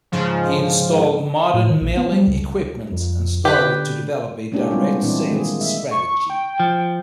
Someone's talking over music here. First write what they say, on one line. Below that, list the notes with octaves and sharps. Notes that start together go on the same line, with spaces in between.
He installed modern milling equipment and started to develop a direct sales strategy.
G#2 C#3 F3
A2
D#3
A#1
B3
G3
C#2
C#2
F2
D3 G4 B4
G#3 A#3 C#4 D4 E4 G4
G3 G#3 B3 C4 D4 F4
A#2 E3 C4 D4 E4 D5
D#3 G#3 A#3 G#4
E5
C#6
G5
F3